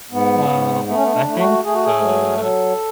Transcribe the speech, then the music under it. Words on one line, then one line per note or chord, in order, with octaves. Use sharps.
Well, I think, uh,
G#2 B3
G#2
A3 B3
C#4
B3
D4
A3
E4
F#4
A3 G#4
F#4
G#4
F#3
F#3 A4